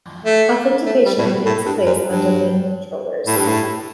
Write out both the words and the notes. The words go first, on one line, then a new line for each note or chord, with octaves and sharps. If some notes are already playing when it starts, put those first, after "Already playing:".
Authentication takes place on domain controllers.
A3
A3
G3
A2
B2
A2
G2
F#2
G2
A2
G2
A2